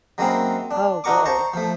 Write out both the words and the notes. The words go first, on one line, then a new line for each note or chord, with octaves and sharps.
Oh, boy.
F#3 G#3 A#3 C4 C#4 E4
D4
D4 D#4 F#4 A#4 C#6 D6
C5 A5 A#5 C#6
F3 A3